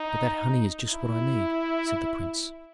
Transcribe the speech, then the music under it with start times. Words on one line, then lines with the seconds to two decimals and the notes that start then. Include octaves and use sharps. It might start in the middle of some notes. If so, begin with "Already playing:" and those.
"But that honey is just what I need," said the prince.
Already playing: D#4
0.92 E4